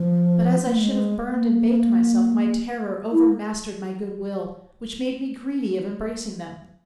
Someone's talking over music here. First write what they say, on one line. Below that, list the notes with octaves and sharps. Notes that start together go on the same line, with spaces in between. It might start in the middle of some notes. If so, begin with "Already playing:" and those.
But as I should have burned and baked myself, My terror overmastered my good will, Which made me greedy of embracing them.
Already playing: F3
A#3
A3
G#3
A#3
E4